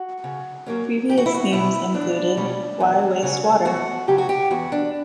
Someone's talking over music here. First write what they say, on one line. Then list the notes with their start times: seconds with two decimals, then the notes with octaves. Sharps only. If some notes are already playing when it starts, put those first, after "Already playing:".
Previous themes included: 'Why waste water?
Already playing: F#4
0.24 C#3
0.66 F#3 A#3 C#4
1.09 E2 G4
1.17 F#4
1.26 E4
1.34 F#4
1.51 B2 G3 C#4 E4
1.94 E2 D4
2.37 B2 G3 C#4
2.80 E2
3.23 C#3 F#3 C#4
3.65 E2 F#4
4.08 C#3 F#3 C#4 G4
4.18 F#4
4.29 G4
4.51 E2 F#4
4.72 D4